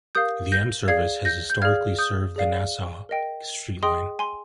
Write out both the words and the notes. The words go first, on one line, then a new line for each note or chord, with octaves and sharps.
The M service has historically served the Nassau Street Line.
G4 A#4 F5 D#6 G6
G6 A#6
G#4 D5 F5 G#6 C7
G6 A#6
G6
G#4 D5 F5 F6 G#6
D#6 G6
G#4 D5 F5
A#4 D#5 G5
G#4 D#5 G5 C6 D#6
G#5 C6